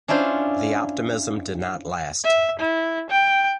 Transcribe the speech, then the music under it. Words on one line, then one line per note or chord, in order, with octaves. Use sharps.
The optimism did not last.
C#4 D4 E4 F4 C5
E5
E4
G5